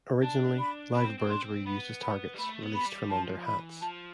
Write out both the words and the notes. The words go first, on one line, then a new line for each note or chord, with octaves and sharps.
Originally, live birds were used as targets, released from under hats.
D4 A5
B5
C4 B5
C4
D4 C6
C4
B3 B5
B5
G3
A3 B5
B3
B5
G3
F3 A5
E3 B5
F3 A5